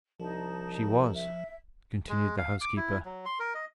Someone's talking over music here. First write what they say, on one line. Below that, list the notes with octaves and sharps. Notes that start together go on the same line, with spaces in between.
'She was,' continued the housekeeper.
C2 F3 D#4 A5
E5
G#3
F5
D6
E4
F#3
C6
A#4
D#5